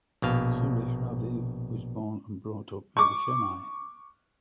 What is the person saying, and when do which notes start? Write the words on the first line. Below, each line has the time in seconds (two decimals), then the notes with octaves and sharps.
Suresh Ravi was born and brought up in Chennai.
0.22 A#1 B2 F5
2.97 C#6 D6